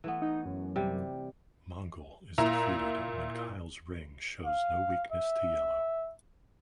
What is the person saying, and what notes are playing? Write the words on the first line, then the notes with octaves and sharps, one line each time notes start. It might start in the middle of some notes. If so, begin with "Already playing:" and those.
Mongul is defeated when Kyle's ring shows no weakness to yellow.
E3 A3 B3
D#4
F#2
C3 G3
A#2 E4 A#5
F5
E5